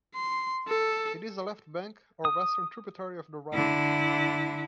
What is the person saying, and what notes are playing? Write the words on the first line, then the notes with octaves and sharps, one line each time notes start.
It is a left bank, or western tributary of the Rhine.
C6
A4
D#6
D3 E4